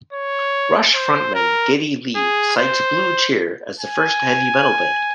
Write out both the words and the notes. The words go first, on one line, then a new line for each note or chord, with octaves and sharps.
Rush frontman Geddy Lee cites Blue Cheer as the first heavy metal band.
C#5
C5
A#4
G#4
C5
G#5